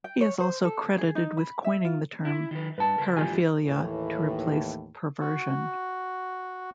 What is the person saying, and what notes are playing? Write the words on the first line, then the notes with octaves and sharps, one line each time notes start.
He is also credited with coining the term "paraphilia" to replace "perversion".
G5
C#5
C5
A4
G#4
D#4
B5
E5
F4
E4
D#3 B4
G2 B4 A5
C#3 A#4
G#2 E3 F3 G4 G#5
D#2 A2 E3
F#4